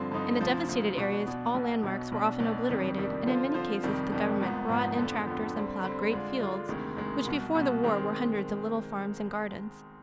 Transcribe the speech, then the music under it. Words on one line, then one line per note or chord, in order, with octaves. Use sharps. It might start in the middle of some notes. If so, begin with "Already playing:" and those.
In the devastated areas all landmarks were often obliterated and in many cases the government brought in tractors and plowed great fields which before the war were hundreds of little farms and gardens.
Already playing: G2 D3 F3 C4
G2 D3 F3 C4 D#4
D2 C3 F3
D2 C3 F3
B2 B3 D4
B2 B3 D4
B1 B2 B3
B1 B2 B3
B1 B2 B3 D4
B1 B2 B3 D4
F2 C3 D#3 G3 D4
F2 C3 D#3 G3 D4
D3 F3 C4 F4 C5
D3 F3 C4 F4 C5
F2 C3 D#3 G3
F2 C3 D#3 G3
G#1 G#2 F3 B3
G#1 G#2 F3 B3
F2 D3 F3 B3
F2 D3 F3 B3
D3 G3 C4
D3 G3 C4
D3 G#3 D4 F4
D3 G#3 D4 F4
D2 C3 D#3 G#3
D2 C3 D#3 G#3
C2 B2 B3
C2 B2 B3
D#3 G#3 C4